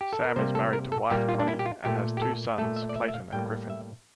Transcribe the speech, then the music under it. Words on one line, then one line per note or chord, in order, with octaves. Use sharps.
Sam is married to wife, Connie, and has two sons, Clayton and Griffin.
G4
A4
A#4
C3 G3 A#3 C5
A4
A#4
A4
A#2 G3 A#3 G4
F4
D4
E4
G4
F4
A#2 A3 G4
G4
A4
A#2 A3 A4
E5
D5
E5
E5
F5
A2 G3 A#3 G5
E5